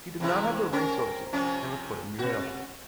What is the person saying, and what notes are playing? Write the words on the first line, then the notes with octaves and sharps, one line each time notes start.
He did not have the resources and was put in jail.
E2 C3 E4
C4 C#4 A#4
C3 F3 C#4
C3 F#4